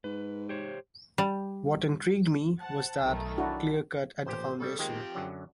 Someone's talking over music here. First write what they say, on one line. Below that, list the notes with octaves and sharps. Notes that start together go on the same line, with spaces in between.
What intrigued me was that clear-cut at the foundation.
G#2 B4
G4 C5 C#5
G3
C5 F#5 A5
B1 D#3 A3
D4 E4 F#4
A1 A#2 G4 C5
C#3 G3 A4
D#3 F3 G#3 A#3 C4 G4
F#2 D3 F#3